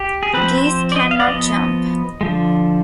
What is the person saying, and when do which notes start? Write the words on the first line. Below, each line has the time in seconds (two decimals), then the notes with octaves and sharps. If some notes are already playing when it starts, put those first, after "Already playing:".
Geese can not jump.
Already playing: G4
0.23 G#4
0.34 F3 C4 B4
0.58 C5
0.92 D5
0.96 D#5
1.11 F5
1.20 D5
1.27 F3 B3 D#5
2.21 D3 F3 G#3